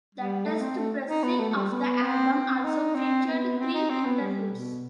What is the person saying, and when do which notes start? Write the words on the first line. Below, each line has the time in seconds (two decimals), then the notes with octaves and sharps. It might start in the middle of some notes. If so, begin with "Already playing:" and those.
The test pressing of the album also featured three interludes.
0.15 G3
0.45 A3
0.61 C4
0.77 A3
1.08 D#4
1.23 B3
1.39 A3
1.50 A3
1.55 G3
1.70 B3
2.02 C4
2.33 C4
2.64 D#4
2.95 C4
3.26 B3
3.58 C4
3.74 D#4
3.90 C4
4.05 B3
4.21 G3
4.52 B2